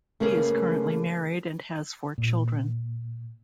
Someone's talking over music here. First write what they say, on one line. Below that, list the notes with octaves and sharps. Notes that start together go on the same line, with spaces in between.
He is currently married and has four children.
C#3 A3 A#3 C#4 G#4 B4
A#2